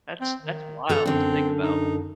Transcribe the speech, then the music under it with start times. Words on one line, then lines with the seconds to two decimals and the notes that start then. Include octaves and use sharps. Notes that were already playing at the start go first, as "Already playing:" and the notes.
That's that's wild to think about.
0.21 C4
0.40 D#3
0.89 G2 A4 A#5
1.06 F#2 D3 C4
1.60 D#4